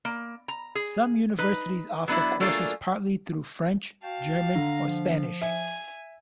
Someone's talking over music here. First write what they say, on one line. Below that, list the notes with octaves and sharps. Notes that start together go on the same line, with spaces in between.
Some universities offer courses partly through French, German or Spanish.
A#3
A#5
G#4
D#4 B4
F#3 B3 D4 E4
F#3 A3 A#3 D4 F4 G#4
F#4 F5 G5 A5
D3 A#5
F3
E5 G#5